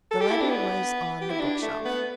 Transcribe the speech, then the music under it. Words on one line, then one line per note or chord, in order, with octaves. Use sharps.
The letter was on the bookshelf.
A4
G4
E4
D4
B3
G4
E4
D4
A3
B3